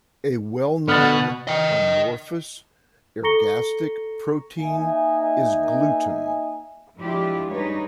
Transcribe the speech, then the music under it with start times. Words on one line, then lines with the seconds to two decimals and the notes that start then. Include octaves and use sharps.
A well-known amorphous ergastic protein is gluten.
0.89 B2 B3 F#5 F6 A6
1.47 D#5 G5
3.23 A4 A#5 C#6 A#6 C#7 G7
4.59 A#3 D#4 E5 G#5
6.97 F3 G#3 D4 E4 F4 G4
7.52 G3 G#3 D4 D#4 B4 C#5